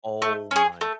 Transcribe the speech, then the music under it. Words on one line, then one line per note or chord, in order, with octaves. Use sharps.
Oh my
A3
C#4 G#4
A3